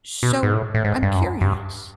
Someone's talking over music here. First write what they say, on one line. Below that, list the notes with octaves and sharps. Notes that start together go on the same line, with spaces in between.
So, I'm curious,
B2
G#2
A2
A2
G#2
G2
F#2
F#2
G2